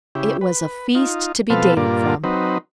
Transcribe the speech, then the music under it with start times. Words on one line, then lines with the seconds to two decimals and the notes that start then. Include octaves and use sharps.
It was a feast to be dated from.
0.15 C#3 E4 G4
0.41 B4
0.95 D#4 F4
1.50 B2 F3 C4 A4 B4 F5
1.77 G2 A#2 A#3 F4 D5
2.24 F#3 C4 D#4 B4